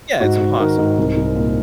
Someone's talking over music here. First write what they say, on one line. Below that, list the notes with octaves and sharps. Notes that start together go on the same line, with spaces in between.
Yeah, it's impossible.
G#2 F#4
G#2
D#3 A#4
G#2
C2
C2
A#2